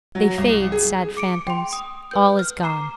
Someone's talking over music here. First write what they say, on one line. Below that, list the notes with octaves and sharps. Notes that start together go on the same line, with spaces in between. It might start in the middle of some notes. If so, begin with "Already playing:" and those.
They fade, sad phantoms: all is gone.
F#3
C2
G#4
D6 C#7 D7
G5 C6
D#6
B4 G6
F6
A#5 D6 C7 E7